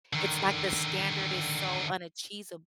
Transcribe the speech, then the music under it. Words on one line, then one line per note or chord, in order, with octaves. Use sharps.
it's, like, the standard is so unachees
D3 D#3